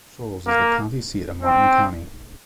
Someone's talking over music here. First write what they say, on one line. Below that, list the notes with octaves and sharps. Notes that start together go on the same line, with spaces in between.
Shoals is the county seat of Martin County.
A#3
C4